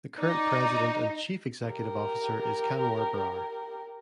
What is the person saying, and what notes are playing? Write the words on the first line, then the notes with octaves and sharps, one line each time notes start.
The current President and Chief Executive Officer is Kanwar Brar.
D#4 D5
G4 A#4